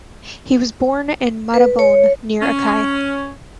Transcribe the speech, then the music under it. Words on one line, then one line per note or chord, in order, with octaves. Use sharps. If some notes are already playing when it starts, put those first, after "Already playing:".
He was born in Montabone near Acqui.
B4
C#5
C#4